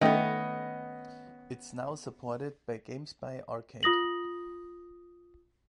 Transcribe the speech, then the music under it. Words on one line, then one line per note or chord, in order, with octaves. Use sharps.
It's now supported by GameSpy Arcade.
D#3 A3 B3 C#4 D#5 G5
F4 D#6 A#6 F#7